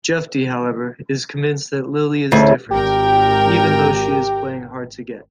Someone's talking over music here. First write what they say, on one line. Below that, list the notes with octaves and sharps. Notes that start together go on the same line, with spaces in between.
Jefty, however, is convinced that Lily is "different", even though she is playing hard-to-get.
D2 C#3 E4 C#6
G#1 G4 A#4 G5